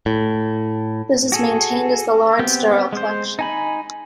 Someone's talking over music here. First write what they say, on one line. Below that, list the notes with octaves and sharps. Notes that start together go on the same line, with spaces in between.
This is maintained as the Lawrence Durrell Collection.
A2
F#4 G#4 A4
B3 C4 G4
G#3 C5
D#4 G#5 B5